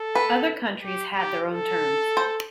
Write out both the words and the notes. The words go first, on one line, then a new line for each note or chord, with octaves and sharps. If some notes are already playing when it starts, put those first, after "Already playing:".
Other countries had their own terms.
Already playing: A4
B4
G4
G4
A4
C5